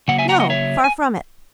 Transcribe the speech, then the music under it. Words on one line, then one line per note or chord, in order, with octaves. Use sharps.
No; far from it.
C#3 F#3 A#3 F#5
E5 G#5
F#5 A#5
D#5 F#5
C#5 E5
G#5